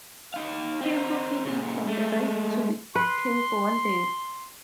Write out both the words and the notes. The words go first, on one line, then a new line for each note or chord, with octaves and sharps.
He who hit it had the right to be king for one day.
D#4 F5
C4 D#4
A#2 C#3
G#3 A3
B4 C6